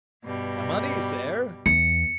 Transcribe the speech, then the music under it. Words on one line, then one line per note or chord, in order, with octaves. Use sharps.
"The money's there."
G2 B2 G3
E2 C#7